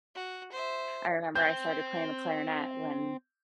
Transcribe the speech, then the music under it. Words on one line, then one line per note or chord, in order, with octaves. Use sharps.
I remember I started playing the clarinet when
F#4
C5 E5
C4 G6